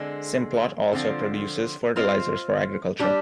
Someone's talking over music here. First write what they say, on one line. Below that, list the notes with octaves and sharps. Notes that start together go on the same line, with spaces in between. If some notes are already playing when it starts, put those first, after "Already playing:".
Simplot also produces fertilizers for agriculture.
Already playing: D3 G#3 C4
D3 F3 C4 F4
C4 F4 C5 D#5
G3 D4 G4